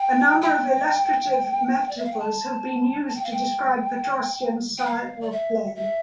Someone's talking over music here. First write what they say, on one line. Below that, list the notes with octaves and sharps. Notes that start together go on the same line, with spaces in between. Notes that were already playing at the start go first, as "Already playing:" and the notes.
A number of illustrative metaphors have been used to describe Petrosian's style of play.
Already playing: G5
G5
D5
E5
F5
G5
A5
A5
G5
F5
G5
G5
F5
D5
E5
E5